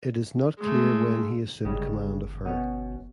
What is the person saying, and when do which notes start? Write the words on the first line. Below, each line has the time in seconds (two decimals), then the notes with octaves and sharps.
It is not clear when he assumed command of her.
0.59 G#3 A3
1.65 G1 C#3 G3 G#3
2.46 B2 C#4